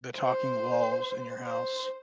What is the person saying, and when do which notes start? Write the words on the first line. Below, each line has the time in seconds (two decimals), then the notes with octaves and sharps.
the talking walls in your house,
0.17 C5
1.44 C5